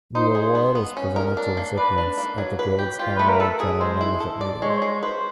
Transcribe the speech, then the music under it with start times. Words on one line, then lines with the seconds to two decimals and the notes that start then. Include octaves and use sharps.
The award is presented to recipients at the Guild's annual general membership meeting.
0.15 D#4 C5
0.35 G#4
0.55 B3
0.75 B3
0.97 C#4
1.16 A#4
1.37 D4
1.57 A#3
1.77 B4 D5
1.98 D4
2.18 A#3
2.38 F#3
2.59 B4
2.79 G4
2.99 F4 G4
3.16 A3 B4
3.28 A#4
3.40 A4 B4
3.60 G#4
3.80 G#3 C5
4.01 E4
4.20 A4
4.41 D5
4.62 G#3 C#5
4.69 C5
4.77 C#5
4.82 G#3
5.03 B4 C5